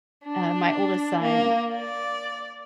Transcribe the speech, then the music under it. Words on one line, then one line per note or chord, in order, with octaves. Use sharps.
uh, my oldest son
D4
A#3
D5